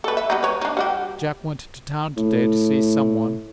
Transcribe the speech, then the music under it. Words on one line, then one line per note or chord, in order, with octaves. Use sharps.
Jack went to town today to see some one.
A4 B4
E5
G3 B3 D#4
B4 C#5
D4 D#4
G3 F#4 G4
A2